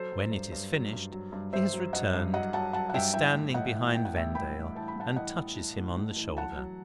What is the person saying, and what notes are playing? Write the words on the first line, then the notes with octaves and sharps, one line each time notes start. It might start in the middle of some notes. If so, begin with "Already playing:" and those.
When it is finished, he has returned, is standing behind Vendale, and touches him on the shoulder.
Already playing: F#3 A4 C5
F#3
G2
G2
F#3
G2
F#3
G2
G2 C5 E5
F#3
G2 D#5 F#5
G2
F#3 D#5 F#5
F#3 F#5 A5
F#3 F#5 A5
F#5
G2 E5 G5
E3 E5 G5
A2
A2 D#5 F#5
E3
E3 G5
F#5
A2 E5 G5
E3 G5 B5
A2
E3 A5
B5
A2 F#5 A5
E3 D#5 F#5
E3
A2
A2
A2
E3
F#3 F#5 A5
F#3